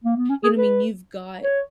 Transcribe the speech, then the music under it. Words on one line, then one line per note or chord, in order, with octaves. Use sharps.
you know, I mean, you've got,
A#3
B3
C#4
G#4
B4
C#5